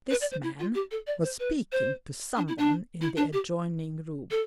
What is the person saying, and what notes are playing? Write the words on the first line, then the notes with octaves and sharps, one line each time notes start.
This man was speaking to someone in the adjoining room.
B4
D5
C5
E4
F4
G4
A4
D5
C5
B4
C5
D4
E4
D4
E4
D4
G4
A4